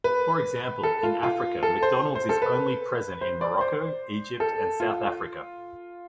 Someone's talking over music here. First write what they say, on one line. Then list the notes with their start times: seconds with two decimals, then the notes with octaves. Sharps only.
For example, in Africa McDonald's is only present in Morocco, Egypt and South Africa.
0.04 B4
0.83 A4
1.03 F4
1.23 F4
1.63 A4
1.83 C5
2.15 C5
2.29 A4
2.42 B4
3.21 C5
3.41 D5
3.61 C5
4.40 A4
4.80 F4